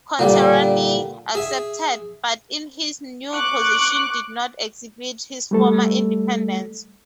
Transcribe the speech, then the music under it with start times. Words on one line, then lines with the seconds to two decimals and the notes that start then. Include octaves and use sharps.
Contarini accepted, but in his new position did not exhibit his former independence.
0.19 A#2 D3 G3
1.35 G#4 E5
3.33 C#6 D6 F#6
5.51 G3 A3 A4